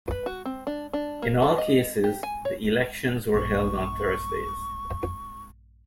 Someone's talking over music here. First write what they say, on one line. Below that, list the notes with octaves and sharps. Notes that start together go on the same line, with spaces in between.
In all cases, the elections were held on Thursdays.
B4
F#4
C4
D4
D4
A#3
A4
D#5
G4
G#5
C#5
A#1 G2 C#6